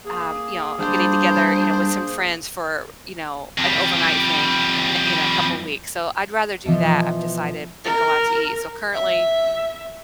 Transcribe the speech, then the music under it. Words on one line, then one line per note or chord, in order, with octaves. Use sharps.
um you know, I'm getting together, you know, with some friends for, you know, an overnight thing in in a couple weeks, so I'd rather do that, I've decided, than go out to eat, so currently,
A#3 G#4
G3 D4 C5
F2 G3
B2 E3 F3
A#4
E5